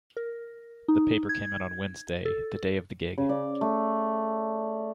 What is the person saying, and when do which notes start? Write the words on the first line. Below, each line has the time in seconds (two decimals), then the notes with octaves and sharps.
The paper came out on Wednesday, the day of the gig.
0.17 A#4
0.88 D#4
1.29 G#6
2.25 A4
3.18 C#3
3.29 D5
3.61 A3